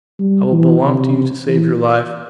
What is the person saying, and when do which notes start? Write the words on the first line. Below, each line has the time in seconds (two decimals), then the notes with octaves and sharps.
I will belong to you to save your life.
0.19 G3
0.52 E3
0.84 C3
1.48 E3